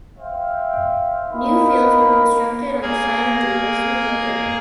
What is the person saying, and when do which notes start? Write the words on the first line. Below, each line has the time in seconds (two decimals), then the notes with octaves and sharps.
New fields were constructed on the site of the original building.
0.18 C5 E5 F5 G5
1.31 D#4 A#4 F5 B5
2.82 A#3 G#4 A#4 G#5